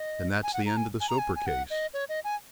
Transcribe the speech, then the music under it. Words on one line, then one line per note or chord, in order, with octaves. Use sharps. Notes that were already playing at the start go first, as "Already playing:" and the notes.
Then that's the end of the Soper case.
Already playing: D#5
G#5
F#5
A#5
G#5
G#5
A#5
G#5
G#5
F#5
D#5
C#5
D#5
G#5